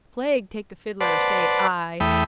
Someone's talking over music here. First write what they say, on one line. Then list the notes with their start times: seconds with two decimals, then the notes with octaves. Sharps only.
Plague take the Fiddler! say I.
1.01 B4 C5 D5 F#5 A5
2.00 E2 A3 E5 G5 B5 D#6